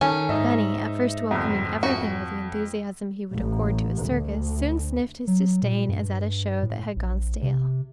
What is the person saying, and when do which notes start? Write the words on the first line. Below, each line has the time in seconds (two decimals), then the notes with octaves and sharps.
Benny, at first welcoming everything with the enthusiasm he would accord to a circus, soon sniffed his disdain, as at a show that had gone stale.
0.01 D#3 C#4 A4
0.29 G#2 D#4 D#5 E5
1.31 G1 F2
1.83 F2 F#4
3.33 A1
4.02 D2
5.27 F#3
5.62 A#2
5.89 G2
6.63 A2
6.96 A#1
7.42 C3